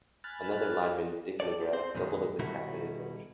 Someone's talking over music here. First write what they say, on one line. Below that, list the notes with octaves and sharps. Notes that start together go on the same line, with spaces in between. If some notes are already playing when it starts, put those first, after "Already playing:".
Another lineman, Dick McGrath, doubled as captain and coach.
G#5 B5 F6 F#6 A6
G4 A4 C#5 D5
C4 C5
F#2 B2 D#3 G#3
B2 D#3 G3 D#4 E4 F#4